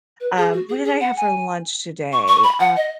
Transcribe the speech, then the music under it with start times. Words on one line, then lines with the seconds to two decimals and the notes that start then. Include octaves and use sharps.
um, what did I have for lunch today? Uh,
0.20 B4
0.38 G#4
0.53 F#4
0.69 G#4
0.85 G#4
1.00 F#5
1.17 G#5
2.13 C#6
2.28 C#6
2.44 B5
2.60 F#5
2.77 D#5